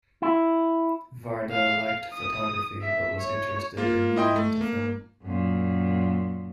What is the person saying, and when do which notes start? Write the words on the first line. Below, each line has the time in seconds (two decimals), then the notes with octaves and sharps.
Varda liked photography but was interested in moving into film.
0.22 E4
1.51 F5
2.14 D#6
2.82 E5
3.20 C#5
3.77 A#3 F4
4.16 E4 D#5 G5 C6
4.36 A3
4.61 A#3
5.23 F#2 A#2